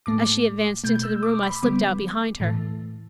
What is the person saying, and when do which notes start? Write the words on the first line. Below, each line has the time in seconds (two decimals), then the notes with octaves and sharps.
As she advanced into the room, I slipped out behind her.
0.06 A2 A3 D6
0.84 B2 A3 G6
0.95 G6
1.03 E6
1.23 D6
1.43 B5
1.62 D3 G3 B3 D6
2.40 A2 E3 A3